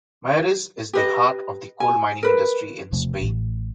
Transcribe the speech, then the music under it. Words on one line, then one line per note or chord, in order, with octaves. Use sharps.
Mieres is the heart of the coal mining industry in Spain.
G4 B4 D#5
G#5
A#4 B4
E1 C3 F3 A3
A1 A2